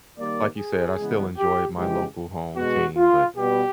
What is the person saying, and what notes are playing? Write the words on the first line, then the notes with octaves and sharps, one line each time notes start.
like you said, I still enjoy my local home team, but
D#3 G3 A#3 D5
G#4
C#3 E3 G#3 B3
G4
C#3 E3 G#3 G4
B2 G#3 B3 F#4
F4
B2 G3 B3 G4